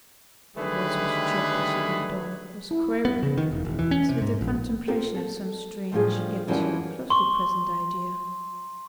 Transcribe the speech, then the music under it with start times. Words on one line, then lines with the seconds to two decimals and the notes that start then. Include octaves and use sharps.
Her voice was choked as she went on--was quavering as with the contemplation of some strange, yet closely-present idea.
0.56 D3 D#3 G3 A3 G#4 B4
2.71 E4
3.05 B3
3.23 C#3
3.38 D#3
3.51 E1
3.65 E1
3.79 E3
3.91 C#4
4.09 C3
4.22 G#2
4.41 A#1
4.87 C4 F4 G4 A4 A#4
5.15 A4
5.92 A2 F3 G3 D4 F4 G#4
6.47 F#2 E3 F3 G3 C#4 F#4
7.10 C6 C#6